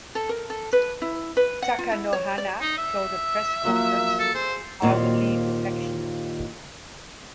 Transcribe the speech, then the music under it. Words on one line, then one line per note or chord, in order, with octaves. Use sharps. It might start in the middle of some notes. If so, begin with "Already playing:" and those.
Takanohana told a press conference, I will leave the faction.
A4
A#4
A4
B4
E4
B4
F#5
F4
E4
C#5
D5
D#4
E5
F3 F#3 A#3
A4
G#4 C5
D#2 A#2 C4